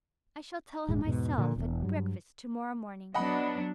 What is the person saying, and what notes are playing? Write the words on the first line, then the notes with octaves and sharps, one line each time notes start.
I shall tell him myself at breakfast to-morrow morning.
D#1 G#2 G#3
E2 G#2 B2
A#2 D3 F3
E1 E2
G2 F#3
F#3 B3 D4 D#5 F#5 B5